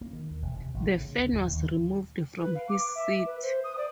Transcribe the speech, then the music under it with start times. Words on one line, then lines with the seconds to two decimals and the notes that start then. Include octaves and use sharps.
The fan was removed from his seat.
0.01 A#3
0.13 D#3
0.30 D#2
0.42 E1
0.56 C3
0.74 A1
0.88 A2
1.00 C#3
1.18 D2
1.33 D#1
1.48 D#2
2.41 B4
2.55 F5
2.69 D6
2.95 E5
3.26 B4
3.42 C5
3.64 D#6
3.77 D5